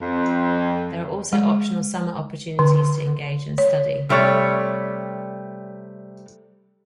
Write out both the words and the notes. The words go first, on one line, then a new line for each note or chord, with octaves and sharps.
There are also optional Summer opportunities to engage in study.
F2
G#3
D3
C#5
C3 G3 A3 C#5 D5